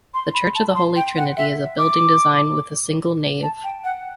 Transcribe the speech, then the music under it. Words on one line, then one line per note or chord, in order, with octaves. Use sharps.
The church of the Holy Trinity is a building design with a single nave.
C6
B5
A5
C6
G5
F#5
E5
D6
A5
G5
F#5